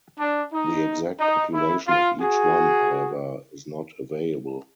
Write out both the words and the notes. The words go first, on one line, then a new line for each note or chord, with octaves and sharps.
The exact population of each one, however, is not available.
D4
D#4
D#4
E4
F4
F#4 G#4